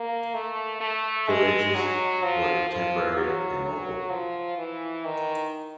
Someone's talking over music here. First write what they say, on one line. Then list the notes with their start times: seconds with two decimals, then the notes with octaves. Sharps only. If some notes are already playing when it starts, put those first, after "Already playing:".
Villages were temporary and mobile.
Already playing: A#3
0.34 A3
0.81 A3
1.28 G#3
1.75 F#3
2.23 F3
2.69 F3
3.16 F#3
3.64 F#3
4.10 F3
4.58 E3
5.05 D#3